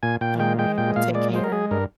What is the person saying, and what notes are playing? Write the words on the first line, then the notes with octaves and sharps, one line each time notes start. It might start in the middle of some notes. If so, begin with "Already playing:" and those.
Alright. Well, take care.
A#2 G#5
A#2 G5
G#3 G5
G#3 G5
A#2 G5
A#2 F5
G#3 D5
G#3 C5
A#4
G#3 G#4
G2 A#4